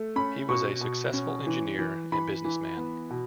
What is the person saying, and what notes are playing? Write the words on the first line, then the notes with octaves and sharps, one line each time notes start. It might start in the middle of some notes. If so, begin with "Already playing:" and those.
He was a successful engineer and businessman.
Already playing: A3
C#4 B5
B2 C#6
B2
C#4
E3
E3
E3 B5
E3
B3
B2